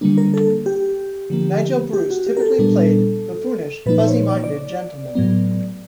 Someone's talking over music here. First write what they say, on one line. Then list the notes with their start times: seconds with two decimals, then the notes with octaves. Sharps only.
Nigel Bruce typically played buffoonish, fuzzy-minded gentlemen.
0.01 D3 G3 A#3 D4
0.18 A#4
0.34 A4
0.66 G4
1.30 D3 F3 A#3
1.93 G4
2.10 F#4
2.27 G4
2.37 A#4
2.42 A4
2.59 A#2 G3 B3 D4
3.86 A#2 F3 A#3 D#4 B4
4.00 C5
4.08 C#5
4.29 D5
4.36 C#5
4.44 D5
5.15 A2 F#3 B3